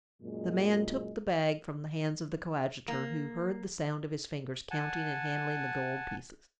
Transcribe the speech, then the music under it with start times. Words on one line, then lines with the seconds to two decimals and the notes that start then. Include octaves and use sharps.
The man took the bag from the hands of the coadjutor, who heard the sound of his fingers counting and handling the gold pieces.
0.22 F#2 A#2 G#3
2.88 A#3
4.71 F#5 G#5 A5